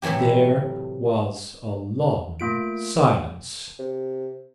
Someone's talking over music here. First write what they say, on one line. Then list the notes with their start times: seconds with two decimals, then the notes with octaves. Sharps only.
There was a long silence.
0.02 A2 C3 E3 F#3 G4
2.40 A3 A#3 F4 D7
3.79 C3